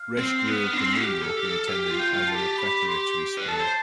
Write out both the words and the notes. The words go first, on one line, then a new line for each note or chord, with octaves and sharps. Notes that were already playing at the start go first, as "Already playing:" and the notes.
Resh grew up in New York and attended Iona Preparatory School.
Already playing: F5
C4
B3
D4
C4
G4
G4
A4
G4
A4
G4 F5
F4
G5
F4
A5
G4
B5
C6
B4
A4 A5
C5